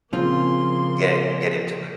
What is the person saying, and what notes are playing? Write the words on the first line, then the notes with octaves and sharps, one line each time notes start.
get get into it.
A#2 C#3 F3 A#3 C4 C#4 F4 C6